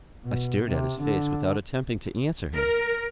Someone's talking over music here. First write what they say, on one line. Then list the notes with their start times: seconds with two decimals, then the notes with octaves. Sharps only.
I stared at his face without attempting to answer him.
0.25 B2
0.68 C3
1.01 D3
2.54 A#4